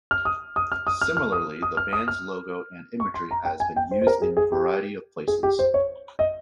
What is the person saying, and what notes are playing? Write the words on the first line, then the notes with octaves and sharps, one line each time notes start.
Similarly the band's logo and imagery has been used in a variety of places.
F6
D#6
D#6
F6
D#6
F6
F6
D#6
D#6
F6
D#6
F6
C#6
C6
A#5
G5
G#5
G5
C5
C5
A#4
G#4
G#4
G4
G#4
G4
C5
C#5
D#5